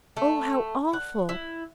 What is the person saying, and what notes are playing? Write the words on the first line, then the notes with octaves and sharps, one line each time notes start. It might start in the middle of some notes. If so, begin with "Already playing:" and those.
Oh, how awful!
A3
F#5
E4